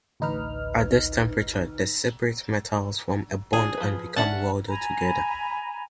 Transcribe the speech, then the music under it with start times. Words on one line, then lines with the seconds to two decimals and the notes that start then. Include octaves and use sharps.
At this temperature the separate metals form a bond and become welded together.
0.20 A1 D2 D#4 B4 F6
3.53 D4 F4 G#4
3.77 F3 B4
4.16 C#4 D4 E5 F#5 A5
4.68 G#5 A#5 B5